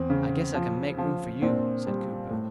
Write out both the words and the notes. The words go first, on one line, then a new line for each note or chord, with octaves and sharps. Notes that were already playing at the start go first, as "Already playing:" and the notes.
"I guess I can make room for you," said Cooper.
Already playing: E2 C4
C#3
F3
F3
A#2 C4 D4
G3
A2